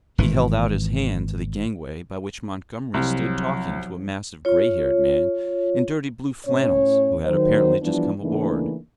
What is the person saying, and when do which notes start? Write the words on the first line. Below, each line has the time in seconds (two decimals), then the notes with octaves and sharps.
He held out his hand to the gangway by which Montgomery stood talking to a massive grey-haired man in dirty-blue flannels, who had apparently just come aboard.
0.18 G#1 E3
2.94 C2 F3 F#3
4.45 F4 C#5
6.46 A2 C#4 C#5
7.25 D#3 F#3 C5
7.82 E3 F3 G3 B3 D4
8.21 C#3 E3 A3 A#3 D4 D#4